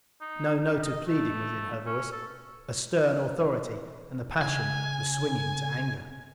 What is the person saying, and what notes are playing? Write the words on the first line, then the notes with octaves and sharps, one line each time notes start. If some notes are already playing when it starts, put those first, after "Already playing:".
No note of pleading was in her voice: a stern authority, and the passion was swinging to anger.
D#4
G3
D#5
A3
C#4
A4
C#3 G#5